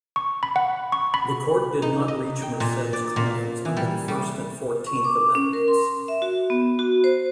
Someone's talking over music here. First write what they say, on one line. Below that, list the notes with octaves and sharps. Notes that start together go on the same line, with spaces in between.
The court did not reach Merced's claims under the First and Fourteenth Amendments.
C#6
B5
F#5
C#6
B5
D#4
D#5
G5
A#2
D5
A#2
E3
G3
G3
C#6
D6
C#4
A#4
C6
E5
F#4
B3
F#4
C5